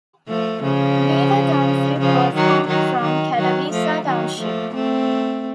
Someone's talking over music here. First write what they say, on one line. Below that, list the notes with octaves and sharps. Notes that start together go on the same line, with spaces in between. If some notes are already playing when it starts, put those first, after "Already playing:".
Beaver Township was formed from Catawissa Township.
F3 A3
C#3 F3
C#3 F3
D#3 F#3
D#3 F#3
D#3
D#3 F#3
F3 A3
D#3 F#3
F3 A3
A3 C4